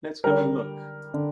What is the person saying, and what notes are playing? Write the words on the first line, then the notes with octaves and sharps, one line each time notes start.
Let's go and look.
D3 G3 A#4
D3